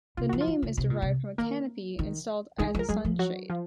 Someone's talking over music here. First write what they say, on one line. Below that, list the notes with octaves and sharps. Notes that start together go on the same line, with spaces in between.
The name is derived from a canopy installed as a sun shade.
C3 F4
F3 F#4
F3 F4
D#3
C#3
C3
A#2
C3
D#3 A#3 A#4
D#3
D#3 G#3 G#4
F3
A#4
F#3 G#3 G#4
F3
F#3 F#4
F3 F4